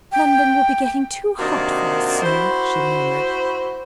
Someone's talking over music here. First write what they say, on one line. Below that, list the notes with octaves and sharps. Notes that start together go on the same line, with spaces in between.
"London will be getting too hot for us soon!" she murmured.
G5
C3 D#3 A#3 D4 F#4
E4 F#4 C5